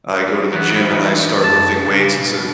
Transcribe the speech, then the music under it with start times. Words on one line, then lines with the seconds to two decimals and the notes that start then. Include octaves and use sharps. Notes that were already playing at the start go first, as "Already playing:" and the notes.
I go to the gym and I start lifting weights, it's a
0.52 E3 F#3 B3 D#4 E4
1.44 F#2 A5
1.75 C#3
2.18 B2